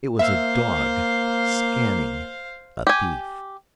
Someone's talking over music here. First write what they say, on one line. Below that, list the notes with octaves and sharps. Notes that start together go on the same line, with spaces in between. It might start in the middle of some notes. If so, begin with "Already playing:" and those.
It was a dog scanning a thief.
A#3 C5 E5 F5
G4 G#5